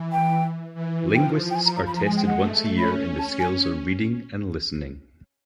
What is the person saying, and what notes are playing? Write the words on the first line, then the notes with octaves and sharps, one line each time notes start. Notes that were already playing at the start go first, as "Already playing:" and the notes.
Linguists are tested once a year in the skills of reading and listening.
Already playing: E3
G5
E3
F3 G5
G5
F3 G#5
A#5
A#5
B5
G#3 A#5
G#5
G5
F#5
A3
C#4 B5
C#4 A5
G#5